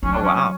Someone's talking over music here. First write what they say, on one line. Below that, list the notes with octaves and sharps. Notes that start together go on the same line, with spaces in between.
Oh, wow.
F#3 C#4
D4
C#4
C#4